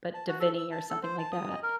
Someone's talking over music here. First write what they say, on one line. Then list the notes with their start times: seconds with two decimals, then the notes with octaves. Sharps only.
but Dhivehi or something like that.
0.14 A5
0.28 F#4
0.40 A4
0.58 E6
0.71 A5
0.90 A4
1.03 C5
1.18 A5
1.32 D#6
1.49 D#5
1.63 A#4